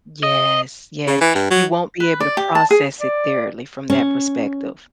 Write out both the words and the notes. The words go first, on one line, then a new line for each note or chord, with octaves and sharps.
Yes, yes, you won't be able to process it thoroughly from that perspective,
D#5
C#3
E3
G2
F#3
B4
D5
G4
A5
G#4
D5
C#4